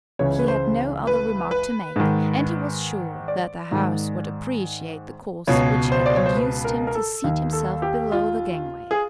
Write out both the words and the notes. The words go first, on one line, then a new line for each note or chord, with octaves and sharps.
He had no other remark to make, and he was sure that the House would appreciate the course which had induced him to seat himself below the gangway.
C#2 C#3 E3 C#5
B4
C5
B4
B4
G#2 D#3
D5
G#2 D#3
C#2 B2 C#5
C5
D5
C#5
C5
B4
A#4
A#4
A4
D#2 D#3
A4
G4
F4
G#4